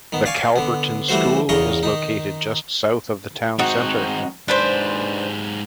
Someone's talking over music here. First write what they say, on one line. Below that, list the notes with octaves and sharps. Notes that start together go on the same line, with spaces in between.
The Calverton School is located just south of the town center.
D#3 B3
D5 F5 G#5 C#6
D3 B3
E3 G3 A3 F#4 C5
E2 C#3 A#4 D#5 C#6
D#3 D#4
G#2 C4 D#4 F#4
G#2 D4 G4 B4 C5